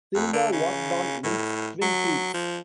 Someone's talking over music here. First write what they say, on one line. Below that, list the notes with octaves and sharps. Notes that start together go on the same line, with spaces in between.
Silva worked on Lynch's "Twin Peaks".
F2
D3
C#3
A2
F#3
F3